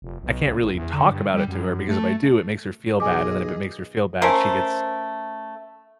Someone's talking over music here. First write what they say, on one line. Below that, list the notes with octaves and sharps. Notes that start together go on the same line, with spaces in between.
I can't really talk about it to her because if I do, it makes her feel bad, and then if it makes her feel bad, she gets
F1
B1
C#2
G#1
E2
D3
G2
G3
F#2
A3
B1 G#4 D#5 G#5 D6
A3 C#4 A#4 C5